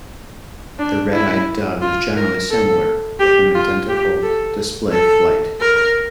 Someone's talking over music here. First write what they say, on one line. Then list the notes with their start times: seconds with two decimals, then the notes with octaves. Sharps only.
The red-eyed dove is generally similar with an identical display flight.
0.79 D4
1.13 E4
1.81 F4
2.16 A#4
2.51 A4
3.20 G4
3.55 F4
3.89 G4
4.23 A4
4.92 A4
5.61 A#4